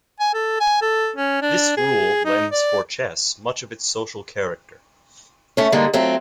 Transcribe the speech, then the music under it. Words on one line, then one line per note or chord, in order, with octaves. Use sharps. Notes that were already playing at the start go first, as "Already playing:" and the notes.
This rule lends Forchess much of its social character.
G#5
A4
G#5
A4
C#4
D4
G#4
D#4
D5
A3 C#4
G#2 D3 G3 G#3 A#3
F#3 A3 C4 F4